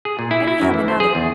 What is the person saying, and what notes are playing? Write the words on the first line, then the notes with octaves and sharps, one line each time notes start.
And we have another.
G#4
A#2
E4
E4
F#2
E3
C5
G#4
E2